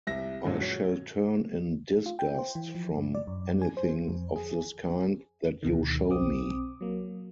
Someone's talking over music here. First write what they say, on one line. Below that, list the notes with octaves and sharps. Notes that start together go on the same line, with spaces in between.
I shall turn in disgust from anything of this kind that you show me.
C2 E5 A#6
F#2 A#2 D3 E3 F3 G#3
F#4 C#5
F4
G5
C5
E3
F3
G2
D5
F#2
G#5
C5
F2
G#4
D2 B2 D#3
B1 C4 D6 D#6
F#3 A#3